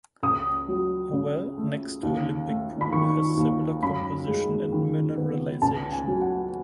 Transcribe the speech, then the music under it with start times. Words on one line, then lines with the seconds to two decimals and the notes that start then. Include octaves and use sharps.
A well next to Olympic pool has similar composition and mineralization.
0.23 C#2 D#6
0.68 F#3
1.13 C#3
1.58 A3
2.03 D#2
2.48 A3
2.81 B5
2.92 D#3 C#6
3.37 D#2
3.82 F#2 B5
4.27 G#3
4.72 D#3
5.17 B3
5.62 C#2 A5
5.92 G#5
6.07 F#3
6.22 F#5